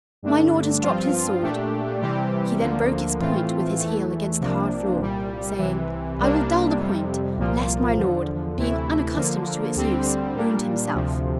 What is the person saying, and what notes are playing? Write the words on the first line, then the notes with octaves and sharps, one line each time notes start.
"My lord has dropped his sword." He then broke its point with his heel against the hard floor, saying: "I will dull the point, lest my lord, being unaccustomed to its use, wound himself."
G2 D3 A3 D4
G2 F3 C4 F4
A#2 A3 D4 G4
C3 E3 G3 C4 G4
D2 D3 F3 A#3
A2 E3 A3 C4 F4
E2 E3 A3
C2 C3 F3 A#3 D4
C2 A#2 G3
C2 C3 E3
C2 C3 G3 A#3 D4
F2 C3 G3
C2 A#2 F3 A#3 F4
E2 D3 F3
D2 C3 E3 A3 E4
D3 F3 A#3
D2 D3 G3 C4
A#2 G3 A#3 D4
D2 C3 F3